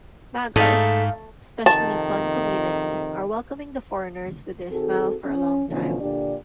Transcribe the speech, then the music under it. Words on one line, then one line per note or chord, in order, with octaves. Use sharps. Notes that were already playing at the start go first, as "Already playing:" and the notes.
Magars specially Pun community are welcoming the foreigners with their smile for long time.
G#2 A3 D#4 F5
F2 C3 D#3 A5
D#3 C4 F#4 G#4 A4
C#4
B2 D3 E3 F3 A3 C#4
A#2 D3 D4 G4 D5